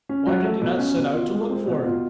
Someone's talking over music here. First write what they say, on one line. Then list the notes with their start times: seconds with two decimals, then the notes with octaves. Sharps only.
Why did you not set out to look for him?
0.09 C#4
0.27 F#3
0.44 A3
0.62 B2
0.79 C#4
0.97 B2
1.14 F4
1.32 G#3
1.50 C4
1.67 B2
1.84 F4